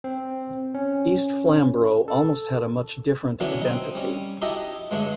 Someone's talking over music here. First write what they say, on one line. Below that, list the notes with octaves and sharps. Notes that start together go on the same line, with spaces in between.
East Flamborough almost had a much different identity.
C4
C#4
A4
D3 E3 F#3 B3 C#4 D4
C4 D#4
G3 C#4
D#4 E4 F#4 G4 A4 D#5
G2 D3 G#3 A3 D4 C#5